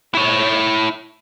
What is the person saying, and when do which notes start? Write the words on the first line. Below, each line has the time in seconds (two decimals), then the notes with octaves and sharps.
Yeah, yeah.
0.15 E4 C#5